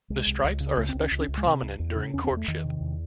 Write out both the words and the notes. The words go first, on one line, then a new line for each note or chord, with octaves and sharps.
The stripes are especially prominent during courtship.
C2 G#3
C2
C#2
C#3
C#2 A3
C4
C#2
C#4
C#2
C#4
C#2
G#3
C3
C#2
E2
C#3
E2 C#4
C4
E2
A3
E2 D#3
C3
E2